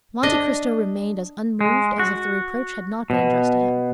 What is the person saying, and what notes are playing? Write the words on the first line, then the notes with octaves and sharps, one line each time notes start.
Monte Cristo remained as unmoved as if the reproach had not been addressed to him.
D4 D#5
G#3
F#4
B2